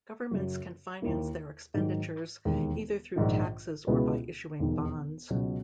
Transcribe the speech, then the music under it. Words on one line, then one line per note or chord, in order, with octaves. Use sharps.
Governments can finance their expenditures either through taxes or by issuing bonds.
F#2 C#3 F#3
D#2 D#3 A#3 E4
G#2 D#3 F#3
E1 D#2 D#3 G#3
A#1 G#2 D#3
C#2 B2 G#3 B3 E4
E1 D#2 D#3
C#2 B2 F#3